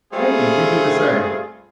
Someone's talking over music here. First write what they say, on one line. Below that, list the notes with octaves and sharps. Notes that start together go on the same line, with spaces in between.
Thank you. You do the same.
G3 A3 C4 F4 G#4